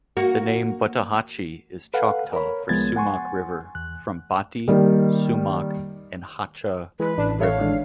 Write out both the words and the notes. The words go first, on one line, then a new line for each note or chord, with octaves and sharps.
The name "Buttahatchee" is Choctaw for "sumac river", from "bati", "sumac", and "hahcha", "river".
A#3 F#4
A4 B4 F5 F#5
A#4 C#5 B5
C2 F3 G#3 B3 G#6 A6
F#5 G#5 C6 C#6
E2 F#6
D#3 G3 A#3
E3 G#3 B4
A1 D4
E4 A4 C#5 F5
D#3 G#3 D4